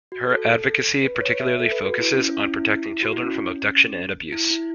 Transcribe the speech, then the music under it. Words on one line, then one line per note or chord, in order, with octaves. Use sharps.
Her advocacy particularly focuses on protecting children from abduction and abuse.
F#4
A4
B4
B4
C#5
E5
A4
B4
F#4
E4
C#4
E4
C#4
E4
F#4
E4
C#4
E4
E4